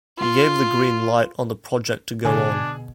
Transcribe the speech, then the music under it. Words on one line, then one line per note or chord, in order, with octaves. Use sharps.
He gave the green light on the project to go on.
F4
B2 D3 D4 G#4